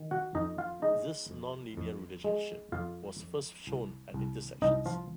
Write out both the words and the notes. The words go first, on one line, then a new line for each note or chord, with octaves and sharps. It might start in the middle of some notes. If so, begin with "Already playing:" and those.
This non-linear relationship was first shown at intersections.
Already playing: D#3
F#4 F#5
F2 D#4 D#5
F4 F5
G#3 D#4 D#5
F2
F2
G#3
F2 F4 F5
F2
C2
C2
C2 D#4 D#5
F3 F4